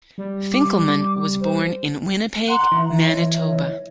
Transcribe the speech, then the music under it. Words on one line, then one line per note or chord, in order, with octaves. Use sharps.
Finkleman was born in Winnipeg, Manitoba.
G3
D6
C5
F#5 A#5 C6
E3
C#5 D#5